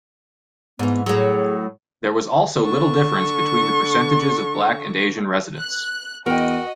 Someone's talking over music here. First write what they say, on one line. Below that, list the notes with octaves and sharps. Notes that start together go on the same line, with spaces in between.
There was also little difference between the percentages of black and Asian residents.
G#2 E3 B3
A2 F#3 G#4
D3 C#6
F#6
E2 F#4 A#4 D#5 G5